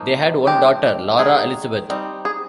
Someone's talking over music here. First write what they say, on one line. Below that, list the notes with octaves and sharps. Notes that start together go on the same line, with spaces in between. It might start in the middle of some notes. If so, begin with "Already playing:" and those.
They had one daughter, Laura Elizabeth.
Already playing: F3 A#3 D#4
F3 G#3 C4 D#4 G4
D#3 G#3 D#4 G#4
G3 C4 D#4
G#4